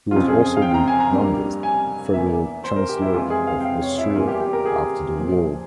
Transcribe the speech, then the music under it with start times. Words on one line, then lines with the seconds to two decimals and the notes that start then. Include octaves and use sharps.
He was also the youngest Federal Chancellor of Austria after the war.
0.11 F2 C#3 F3 F4
0.28 G#4
0.45 G#4
0.57 F5
0.62 G5
0.74 A#5
0.88 G#5
1.00 A#5
1.12 G2 G3 A#3
1.63 G#5
2.13 E2 E3 A#3 E5
2.64 C5
2.76 A#4
2.89 G4
3.02 E4
3.14 F2 E3 G#3 F4
3.30 G#4
3.47 F5
3.60 G5
3.65 F5
3.82 C#5
3.98 E4
4.15 E2 E3 G3 A#3 F4
4.27 G4
4.41 G4
4.53 A#4
4.65 G#4
5.16 A#2 F3 A#3